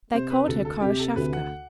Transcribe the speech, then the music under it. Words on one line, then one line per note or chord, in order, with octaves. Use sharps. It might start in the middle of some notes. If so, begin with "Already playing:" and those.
They called her Khoroshavka.
C3 C5
B4
D2 A4
A4
C3 G4
A4
D2 B4
F#5